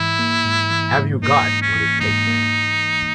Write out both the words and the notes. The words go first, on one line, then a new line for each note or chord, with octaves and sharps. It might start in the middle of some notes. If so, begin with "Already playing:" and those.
Have you got what it takes?
Already playing: G#2 E3 E4
A#3
G#2
E3
G#2
A#3 D#4
G#2
C#4
E3
G#2 D#4
A#3